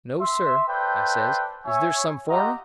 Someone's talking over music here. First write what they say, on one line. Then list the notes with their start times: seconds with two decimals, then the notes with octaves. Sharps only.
"No, sir," I says; "is there some for me?"
0.20 E5 C6
0.67 A4 B4 C5 D5 E5 G5
1.65 C#5 E5 G#5
2.28 F4 G4 D#5 E5 F#5 A#5